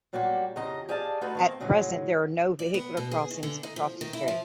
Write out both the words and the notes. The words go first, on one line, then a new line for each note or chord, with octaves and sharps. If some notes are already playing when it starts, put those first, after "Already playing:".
At present, there are no vehicular crossings across the strait.
A#2 F#3 G3 A#3 F#4 G4
F2 C#3 E3 G4 D#5 A#5
G4 G#4 D5 D#5 F5 A5
A3 D#4 F4 F#4 A4 B4
D#3 A#3 C4
A2 C#3 E3 F#3 G#3
D5
B3
B2
G#4
D#3
D3
D#4
F3
D#3
E4
F3